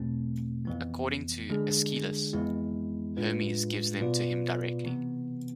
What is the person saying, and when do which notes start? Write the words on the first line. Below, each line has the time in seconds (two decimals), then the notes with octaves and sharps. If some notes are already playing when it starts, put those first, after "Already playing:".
According to Aeschylus, Hermes gives them to him directly.
Already playing: E2 B2 A3 C4
0.65 F2 E3 B3
1.50 D3 G#3 D4 G#4
2.33 F2 E3 G#3 B3 E4
3.17 A2 G#3 D4 F4 B4
4.01 B2 B3 F4 B4 D5
4.84 C3 E3 B3